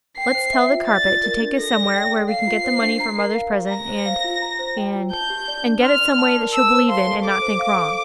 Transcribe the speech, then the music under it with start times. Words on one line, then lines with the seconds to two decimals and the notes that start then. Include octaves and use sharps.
Let's tell the carpet to take us somewhere where we can get the money for mother's present, and--and--and get it some way that she'll believe in and not think wrong.'
0.17 G5 C7
0.35 C5
0.53 E5
0.71 F4
0.88 D5 A6
1.05 F4
1.24 A#4
1.41 D4
1.58 A4 A#6
1.76 D5
1.94 G5
2.11 A4
2.29 F5 C7
2.47 F4
2.64 C5
2.82 D4
3.00 A#5
3.18 A#4
3.35 F5
3.53 G4
3.70 A#5 A#6
3.89 C5
4.05 F5
4.24 F4
4.42 A#5
4.59 C5
4.77 G5
4.95 F4
5.12 A5 G6
5.30 G4
5.48 D5
5.65 D4
5.83 C6 F6
6.00 D5
6.18 A5
6.36 A#4
6.53 A5 E6
6.72 C5
6.89 F5 C6
7.06 A4
7.24 A4 D6
7.42 C5
7.59 F5
7.77 A4